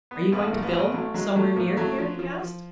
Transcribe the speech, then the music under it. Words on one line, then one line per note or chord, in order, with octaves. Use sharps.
"Are you going to build somewhere near here?" he asked.
B3
A1 B3
A3
A2 A#3
B3
A1 B3
F#3 A3
F#3 G#3
F#3 A3
A2 A#3
F#3 A3
F3
F3
F3